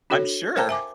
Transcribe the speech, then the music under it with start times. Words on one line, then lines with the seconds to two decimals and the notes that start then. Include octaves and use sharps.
I'm sure!
0.10 D4 F#4 A4 C#5
0.56 A#4 C5 F5 G5 A5 A#5
0.69 E5 G#5 D6